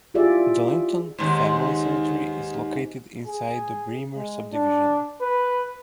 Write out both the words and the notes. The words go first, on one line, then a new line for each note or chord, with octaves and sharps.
The Linton family cemetery is located inside the Braemar subdivision.
E4 F4 G4 G#4 D5 E5
D#2 G#2
G#4
G#3
D4
B4